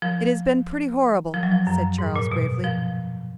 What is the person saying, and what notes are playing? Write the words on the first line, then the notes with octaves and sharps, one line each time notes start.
"It has been pretty horrible," said Charles gravely.
F3
F3
F#3
F3
F#2
G#2
A#2
B2
F3